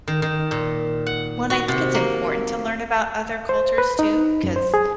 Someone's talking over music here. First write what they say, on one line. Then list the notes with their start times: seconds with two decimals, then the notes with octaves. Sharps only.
When I think it's important to learn about other cultures too, 'cause,
0.08 D#3
0.22 D#3
0.51 A#2
1.06 F#5
1.50 F#4
1.68 C3
1.95 A#3
3.49 C5
3.78 B4
3.99 D#4
4.43 F#2
4.56 C5
4.74 G#4